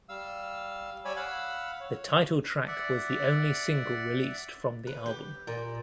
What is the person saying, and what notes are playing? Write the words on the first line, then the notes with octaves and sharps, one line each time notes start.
The title track was the only single released from the album.
G3 F5 E6
G3 C#5 D5 G#5 B5 E6
F5 F#5 B5 E6
C#5
D5 E5 F#5
B4
G4
A#2